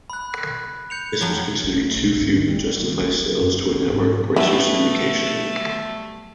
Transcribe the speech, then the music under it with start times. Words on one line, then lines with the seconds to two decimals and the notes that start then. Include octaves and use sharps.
This was considered too few to justify sales to a network or to syndication.
0.10 B5 F#6
0.90 G6 C#7 F7
1.21 F2 F#3
1.64 A2
1.96 B1
2.19 G#1
2.36 D#2
2.48 G3
2.80 D#2
3.01 A#3
3.24 F#3
3.41 F#2
3.62 A#3
3.75 F3
3.91 G#2
4.36 F#3 G3 A3 B3 E4 F#4 G4